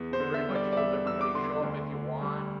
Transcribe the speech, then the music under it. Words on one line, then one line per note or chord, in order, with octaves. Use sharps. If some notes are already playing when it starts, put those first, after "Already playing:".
we pretty much told everybody, "Show up if you want"
Already playing: E2
C5
D3
E5
G3
D5
D5
E2 E5
E2 E6
D6
D3 C6
D2
D3
G3